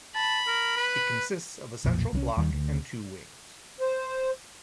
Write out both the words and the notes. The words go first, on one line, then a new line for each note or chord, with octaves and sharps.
It consists of a central block and two wings.
A5 B5
A#4
B4
B1 F2 A#2
C2 E3 C#4
D#2 D#3 G3
D2
C5